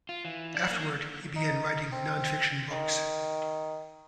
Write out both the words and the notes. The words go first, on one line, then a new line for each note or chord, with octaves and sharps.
Afterward, he began writing non-fiction books.
F4
E3
D4
A#3
D#4
C4
D#3